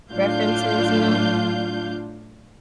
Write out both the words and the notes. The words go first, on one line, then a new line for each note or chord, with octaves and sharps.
references, you know?
A2 F#3 D4 F4 F5 G6